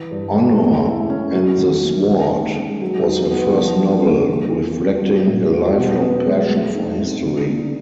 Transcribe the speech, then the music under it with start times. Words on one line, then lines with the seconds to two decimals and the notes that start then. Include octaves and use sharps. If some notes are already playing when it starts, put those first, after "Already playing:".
Honour and the Sword was her first novel, reflecting a lifelong passion for history.
Already playing: E3
0.11 G2
0.35 G#3
0.61 A3
0.85 E4
1.09 C#4
1.34 F#3
1.58 D#3
1.83 A#3
2.08 D#3
2.32 C#4
2.56 G#3
2.81 F#3
3.07 D#4
3.31 B3
3.55 F3
3.79 D4
4.05 A#3
4.29 E3
4.54 B3
4.79 G3
5.03 F#3
5.27 A2
5.52 B3
5.77 B2
6.01 B3
6.26 G#3
6.50 A3
6.75 D#4
7.00 C4
7.25 D3
7.49 A#3